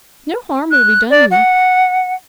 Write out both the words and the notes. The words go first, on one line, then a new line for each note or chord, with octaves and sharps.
"No harm will be done you."
F#6
D5
F#5